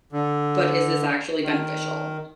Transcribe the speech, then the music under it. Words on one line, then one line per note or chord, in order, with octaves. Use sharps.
but is this actually beneficial?
D3
D#3